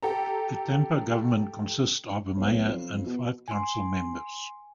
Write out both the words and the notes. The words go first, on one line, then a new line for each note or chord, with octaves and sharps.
The Tampa government consists of a mayor and five council members.
G4 A4 A#5
B1
F2
B2
G#5 C6